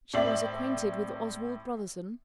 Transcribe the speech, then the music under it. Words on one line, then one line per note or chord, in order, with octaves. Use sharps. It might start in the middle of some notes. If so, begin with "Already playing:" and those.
"She was acquainted with Oswald Brotherson?"
A2 C4 D5 E5 F#7